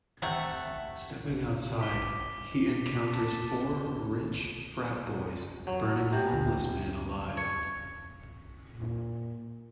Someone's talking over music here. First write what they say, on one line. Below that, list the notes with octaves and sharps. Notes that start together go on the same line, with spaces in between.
Stepping outside, he encounters four rich frat boys burning a homeless man alive.
C3 A3 F#5
D6 B6 G7
A5
F#3
C3
D2 D3
C#5
A#2